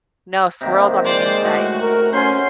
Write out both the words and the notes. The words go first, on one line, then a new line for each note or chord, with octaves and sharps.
No, swirled on the inside
C3 D#3 A#3
G#3 C5 D5
A2 F#4
A#4
C#4 C5 F#5 G#5 C6